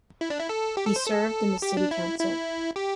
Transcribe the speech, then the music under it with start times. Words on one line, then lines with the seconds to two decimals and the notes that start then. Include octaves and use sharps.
He served in the city council.
0.21 E4
0.30 D4
0.40 E4
0.49 A4
0.77 G4
0.87 A4
0.96 C5
1.06 A4
1.62 G4
1.77 D4
1.91 E4
2.19 E4
2.76 G4